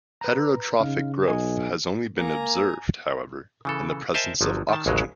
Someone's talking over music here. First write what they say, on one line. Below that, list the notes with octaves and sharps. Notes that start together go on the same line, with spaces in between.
Heterotrophic growth has only been observed, however, in the presence of oxygen.
B4 A#5
C#3 D#4 F5
B1 D#5 G#5
A#3 G#5 A#5
C#3 E3 A4
A#4 C5 D#5 E5 G#5 A5
G1 F3 F#3
D#3 A5
A1 D#2 C#3 F#3 G#3